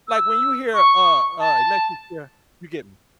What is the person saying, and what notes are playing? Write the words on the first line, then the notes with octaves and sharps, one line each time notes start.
like when you hear, uh, uh, Electric Chair, you get
E6
C#6
A5